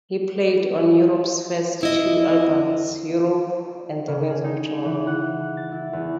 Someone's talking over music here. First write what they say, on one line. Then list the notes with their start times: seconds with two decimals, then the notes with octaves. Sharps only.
He played on Europe's first two albums, "Europe" and "Wings of Tomorrow".
1.81 F2 E4 D#5
4.08 C#3
4.30 G#4
4.44 D#4
4.85 E3
5.07 F#5
5.57 A6
5.72 E4
5.93 E2